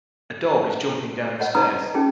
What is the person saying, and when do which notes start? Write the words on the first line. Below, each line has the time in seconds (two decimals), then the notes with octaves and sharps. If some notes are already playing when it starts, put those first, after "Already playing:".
A dog is jumping down the stairs.
1.39 C#5 D#5 F#5
1.55 D#4 B4 A#5 D#6
1.94 C#4 D#4 G#4 G5